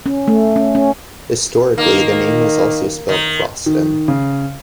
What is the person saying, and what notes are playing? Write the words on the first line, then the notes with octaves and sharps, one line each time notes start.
Historically, the name was also spelled "Frosten".
C#4
A3
C#4
C#4
D#3 A#3
D#3
D#3
C#3